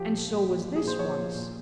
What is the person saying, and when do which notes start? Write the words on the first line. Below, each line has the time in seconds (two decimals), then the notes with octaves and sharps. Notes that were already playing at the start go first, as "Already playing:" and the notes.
And so was this one's.
Already playing: F3 G4
0.11 A#2
0.29 A#2
0.46 A#2
0.64 F3
0.76 G#4
0.82 A#2
0.87 C5
0.99 F3 C#5
1.17 F3
1.35 A#2